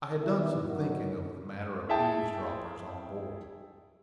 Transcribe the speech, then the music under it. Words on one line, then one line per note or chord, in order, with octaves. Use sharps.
I had done some thinking over the matter of eavesdroppers on board.
D#3 B3 E4
A1 F#2 F#3 D#4 F#4 A#4
E4 G#4 E5 G5 A5